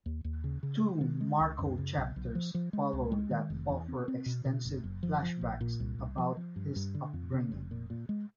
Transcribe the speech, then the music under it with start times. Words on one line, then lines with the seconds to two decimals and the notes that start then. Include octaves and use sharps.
Two "Marco" chapters follow that offer extensive flashbacks about his upbringing.
0.06 D#2
0.24 D#2
0.44 C#3
0.63 C#3
0.82 G#3
1.01 D#3
1.21 G#3
1.40 C#2
1.58 F#2
1.78 C#3
1.97 B1
2.16 B1
2.35 F3
2.54 F3
2.73 G#3
2.93 C#2
3.12 G#3
3.31 D#3
3.50 F1
3.69 E2
3.88 C4
4.08 C4
4.26 B2
4.45 B2
4.65 F#1
4.84 F#1
5.03 F3
5.23 F3
5.41 A#1
5.61 A#2
5.80 C2
5.98 C2
6.18 F3
6.37 F3
6.56 G2
6.76 G2
6.95 D3
7.13 F2
7.33 C#3
7.52 F1
7.71 A#2
7.90 A#2
8.09 G#3